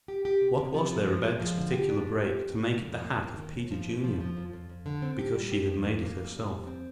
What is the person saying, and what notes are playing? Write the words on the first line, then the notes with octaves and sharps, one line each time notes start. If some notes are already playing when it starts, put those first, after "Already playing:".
What was there about this particular break to make it the hat of Peter Junior? Because she had made it herself.
G4
G4
C3
C3
F3
F3
G#3
G#3
F3
D3
G4
D4
A#2
G4
F2
A#3
D#3
F2
A#3
A#3
D#3
D#2
F3
C3
F3
F3
F2
F2
F2
D3
C4
G4
G3
G4
F2
A#3
A#3
F2
G3
F2
C4